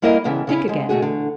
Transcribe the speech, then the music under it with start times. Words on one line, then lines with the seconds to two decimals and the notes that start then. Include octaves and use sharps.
Think again.
0.02 G3 A#3 E4 A#4 D#5 F5
0.24 D2 G2 C#3 E3 B3
0.47 C#3 C#4 E4
0.68 D3 G#3
0.89 B2 A3 F#4 G#4
1.02 E2 D3